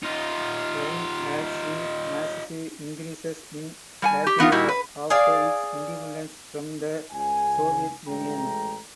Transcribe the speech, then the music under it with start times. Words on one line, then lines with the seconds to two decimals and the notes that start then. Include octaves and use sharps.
Crime had seen massive increases in Latvia after its independence from the Soviet Union.
0.03 D#4 F4
4.02 G3 F#5 G#5
4.27 G4
4.39 E3 B3 D#4 F4
4.52 A#2 G3 E4 F#4
4.69 B4
5.10 G#4 D5 F5
7.11 C#2 G#5
8.08 A1 G#3 A3 A4 G5 A#5